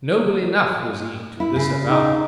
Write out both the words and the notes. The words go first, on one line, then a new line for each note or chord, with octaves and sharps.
Noble enough was he to disavow!
E4
C#3
D#4